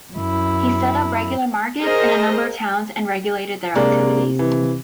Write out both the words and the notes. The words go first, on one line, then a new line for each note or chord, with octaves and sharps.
He set up regular markets in a number of towns and regulated their activities.
F#2 E4
G#4 A#4 C5 D#5
C3 G#3 A#3 D4
E3